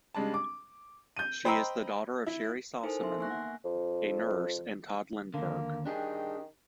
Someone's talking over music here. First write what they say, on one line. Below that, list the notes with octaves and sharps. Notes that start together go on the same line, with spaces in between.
She is the daughter of Sherry Sossamon, a nurse, and Todd Lindberg.
C#3 G3 G#3 D4 A5
D6
G6 D#7
C5 D#5 G5 A#5 B5 E6
E4
D#4 E4 A4 A#4 C5 G#5
B3 D#4 E5 C6
A#3 B3 G#5 C#6 F#6 A#6
E5 F#5
F2
D#2 D3 A#3
D#3 D4 G4 G#4